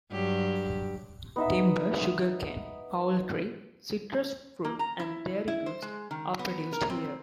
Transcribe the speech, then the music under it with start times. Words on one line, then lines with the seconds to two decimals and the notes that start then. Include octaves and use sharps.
Timber, sugarcane, poultry, citrus fruit and dairy goods are produced here.
0.11 G2 F#3 G4
1.36 B3 D#4 E5
4.64 A#3
4.79 A#5
4.99 E4
5.48 E4
5.66 C5
5.82 G#3
6.11 D#3
6.39 B3
6.73 A#4
6.90 C4